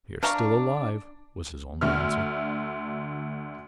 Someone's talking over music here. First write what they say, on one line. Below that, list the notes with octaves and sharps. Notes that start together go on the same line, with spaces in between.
"We are still alive," was his only answer.
D4 F5 A#5 C#6
D2 D3 E5 F6